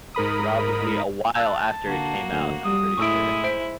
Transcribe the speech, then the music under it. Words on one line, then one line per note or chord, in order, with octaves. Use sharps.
probably a while after it came out, I'm pretty sure.
G#2 A#4 B5 D#6
A5 E6 F#6
D3 A#3 F#4
D2
G3 D#6
A2 G#3 E4 C#6 E6 D7
C5 E5 D7